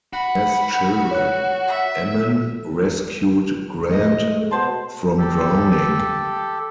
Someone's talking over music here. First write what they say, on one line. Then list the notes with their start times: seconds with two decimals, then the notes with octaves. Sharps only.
As children, Ammen rescued Grant from drowning.
0.13 F#4 B5
1.11 C#5 F#6
1.67 E5
3.91 G#3 A3 D#5
4.51 B2 C5 A5 C6
5.18 G4 A4